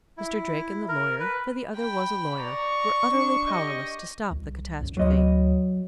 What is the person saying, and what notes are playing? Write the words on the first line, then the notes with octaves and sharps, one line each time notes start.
Mr. Drake and the lawyer--for the other was a lawyer--were utterly powerless to stop the catastrophe.
E4
A#4
B4
G5 B5
D5 A#5 C#6
D4
G4 D#5
C2
F#2
D2 F#3 D#5